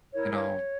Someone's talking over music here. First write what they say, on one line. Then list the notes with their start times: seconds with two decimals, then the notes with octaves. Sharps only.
you know,
0.12 E4 A#4 C#5
0.32 C#5